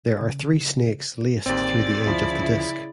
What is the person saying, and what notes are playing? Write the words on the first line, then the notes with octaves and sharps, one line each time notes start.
There are three snakes laced through the edge of the disc.
C#3
A1 D#2 C4 G#4 D5
D2 C#3 F3 E4